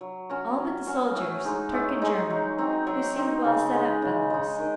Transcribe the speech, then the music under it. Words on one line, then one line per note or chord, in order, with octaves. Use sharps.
All but the soldiers, Turk and German, who seemed well-set-up fellows.
F#3
C#4 F#4
F#3
C#4 F#4
A2
G#3 D#4
A2
G#3 D#4
F#3
C4 D#4
F#3
C4 D#4
C#3
G#3 D#4
C#3
G#3 D#4
D#3